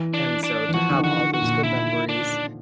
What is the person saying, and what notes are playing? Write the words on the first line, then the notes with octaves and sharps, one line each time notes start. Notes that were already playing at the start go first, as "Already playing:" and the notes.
And so, to have all those good memories
Already playing: E3
D4
D4
E3
F3 F#4
D3
D#3
F#4
D#3
F#4
A#2
E4
D4